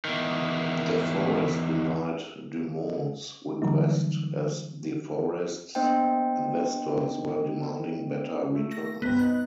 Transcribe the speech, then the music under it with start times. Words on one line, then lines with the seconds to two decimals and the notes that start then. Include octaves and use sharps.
De Forest denied DuMont's request as De Forest's investors were demanding better returns.
0.05 E2 D#3
3.62 D3 E3 F#3 G3 A#3 D#4
5.75 A#3 B3 D4 C5 D#5 G5
8.55 A3
8.72 A#6
9.02 C2 G2 B3 C4
9.19 D#4 B4 F#6